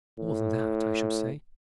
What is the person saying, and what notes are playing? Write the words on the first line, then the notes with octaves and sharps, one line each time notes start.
More than that, I should say.
A2